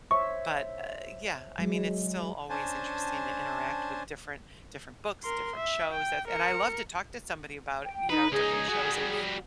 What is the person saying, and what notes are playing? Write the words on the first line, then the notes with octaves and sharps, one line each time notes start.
but, uh, yeah, I mean, it's still always interesting to interact with different different books, different shows, that's and I love to talk to somebody about, you know, different shows and
C5 C#5 E5 C#6
F#3 G#3
C#4 D4 C5 G#5 A5
A#4 C6
E5
G5
A#4 C#7
G5
D#4 B4
C#2 D#4 G#4
G3 F#4